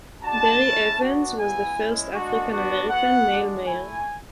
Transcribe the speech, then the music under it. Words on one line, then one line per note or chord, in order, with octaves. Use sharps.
Darry Evans was the first African American male mayor.
G#3 D4 F#4 A5
A3 C#4 E4
B3 D4 F#4
B3 G#5
E4
G#3 C#4 E4
G#3 D4 F#4
B3 D4 F#4
B3 F#4 F#5
G#3 D4 F#4
A3 E4 G#5